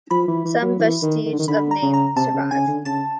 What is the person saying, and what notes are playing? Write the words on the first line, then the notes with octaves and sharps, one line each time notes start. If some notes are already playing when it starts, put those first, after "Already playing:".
Some vestiges of the name survive.
F3 B5
E3
E3
F#3
E3
D#3
D#3
D3
D#3
D3 B5
A#5
C#3
A#5
C3 A5
C#3
C#3 G#5
D3
C#3 A5